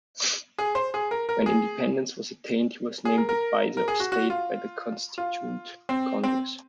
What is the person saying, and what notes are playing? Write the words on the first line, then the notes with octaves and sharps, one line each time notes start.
When independence was attained, he was named advisor of state by the constituent congress.
G#4
C5
G#4
A#4
A#4
G#4
G#4
A#4
A#4
A#4
G#4
F#4
F#4
F4
F4
C4
C4